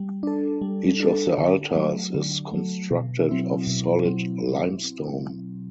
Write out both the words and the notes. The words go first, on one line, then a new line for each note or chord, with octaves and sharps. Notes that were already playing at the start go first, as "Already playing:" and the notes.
Each of the altars is constructed of solid limestone.
Already playing: G3
D4 A4
G3
D4 A4
D3
F#3 A3
D3
F#3 A3
B2
F#3 C4 E4
B2
F#3 C4